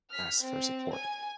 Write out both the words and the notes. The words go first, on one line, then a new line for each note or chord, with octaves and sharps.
ask for support."
F6 B6
C4
G#5